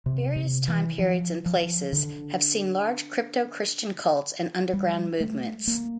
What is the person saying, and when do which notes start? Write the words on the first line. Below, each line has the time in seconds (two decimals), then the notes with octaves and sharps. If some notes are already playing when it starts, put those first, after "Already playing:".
Various time periods and places have seen large crypto-Christian cults and underground movements.
0.06 C3
0.36 C3
0.68 E3
0.99 F3
1.46 F3
1.93 D3
4.73 G3
5.20 A3
5.67 A#3